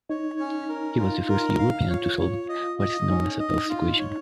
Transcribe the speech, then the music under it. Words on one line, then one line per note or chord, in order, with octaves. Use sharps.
He was the first European to solve what is now known as Pell's equation.
D#4 C#5
C#4
A#4
F4
A#4
F5
F4 C#5
C#5
D#5
D#5
C#4 D#4
D#5
F4
C#5